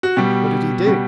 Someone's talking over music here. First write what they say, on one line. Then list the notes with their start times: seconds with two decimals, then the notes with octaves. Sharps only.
What did he do?
0.03 F#4
0.16 B2 G3 G4
0.86 B2 G3